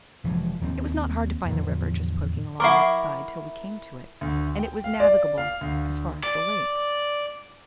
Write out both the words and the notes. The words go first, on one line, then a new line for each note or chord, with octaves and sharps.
It was not hard to find the river, just poking along that side till we came to it, and it was navigable as far as the lake.
F1 E3 F3 G#3
D#2 A3 A#3 C4
E2 A2 D3 F3
E4 A#4 F#5 C#6 D6
D2
G5
F5
D5
F5
D2
D5